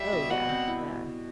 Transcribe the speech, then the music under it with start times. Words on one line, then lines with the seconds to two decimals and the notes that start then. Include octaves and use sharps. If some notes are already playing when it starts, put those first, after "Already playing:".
Oh, yeah. Yeah.
Already playing: G3 E5
0.13 B2
0.30 B2 F#5
0.49 C4
0.67 E4